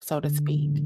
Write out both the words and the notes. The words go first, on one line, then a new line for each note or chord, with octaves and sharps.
so to speak,
D3